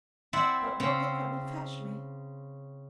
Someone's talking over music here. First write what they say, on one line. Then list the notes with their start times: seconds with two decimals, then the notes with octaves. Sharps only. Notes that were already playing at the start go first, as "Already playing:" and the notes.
"But won't they come and fetch me?"
0.33 C4 E4 C5 D5 E5 F#5
0.80 C#3 C4